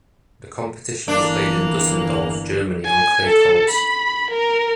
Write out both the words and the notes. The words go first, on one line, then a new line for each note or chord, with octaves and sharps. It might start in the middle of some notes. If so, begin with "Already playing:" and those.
The competition was played in Düsseldorf, Germany, on clay courts.
G1 E3 A#3 D4
G#5
A4
B5
A#4